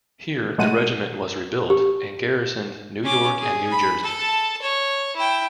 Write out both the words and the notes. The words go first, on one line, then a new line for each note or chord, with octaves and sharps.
Here, the regiment was rebuilt and garrisoned New York and New Jersey.
B2 F#3 G#3 A3 F#5 D#7
G4
C#4 D6
G#4
B5
A4 A5
C#5
E4 G5